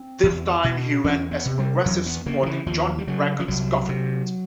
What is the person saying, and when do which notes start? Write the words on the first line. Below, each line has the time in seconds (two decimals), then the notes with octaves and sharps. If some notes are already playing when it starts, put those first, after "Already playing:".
This time, he ran as Progressive supporting John Bracken's government.
Already playing: C4
0.23 E2
0.64 B2
1.04 E2 C#4
1.31 B3
1.45 C3
1.59 G3
1.86 E2 F#3
2.06 B3
2.26 C#3 A#3
2.43 F3
2.46 E3
2.66 D#2 F3
2.98 G3
3.07 C#3 F#3
3.40 F3
3.48 C2 F#3
3.89 C3